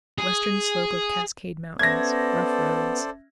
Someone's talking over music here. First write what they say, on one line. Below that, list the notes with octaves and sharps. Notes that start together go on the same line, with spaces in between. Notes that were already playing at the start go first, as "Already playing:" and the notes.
Western slope of Cascade Mountains.--Rough roads.
G#4
B3 C#4 A4 C5 D5 E5 G#6 A#6